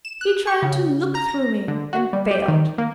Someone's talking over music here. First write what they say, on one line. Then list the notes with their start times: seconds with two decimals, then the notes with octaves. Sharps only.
He tried to look through me, and failed.
0.05 E7
0.21 F#6
0.47 C#6
0.62 C#3
1.15 A#5
1.28 A#6
1.68 D3
1.93 F#4
2.13 G3
2.31 G4
2.48 D#3
2.78 A#3